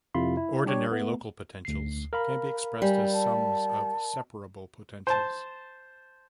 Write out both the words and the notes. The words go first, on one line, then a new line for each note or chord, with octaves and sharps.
Ordinary local potentials can be expressed as sums of separable potentials.
F2 C3 E4 F4 B5 C6
E4
G3 D4 G4 C#5
A3 B3
D2 C7
A#4 F5 B5
G3 G#5
A5
C5 A5